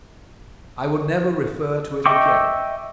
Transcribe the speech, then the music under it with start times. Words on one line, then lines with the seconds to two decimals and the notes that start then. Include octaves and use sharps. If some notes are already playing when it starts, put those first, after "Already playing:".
I will never refer to it again.
2.06 D#5 E5 G5 C#6 D6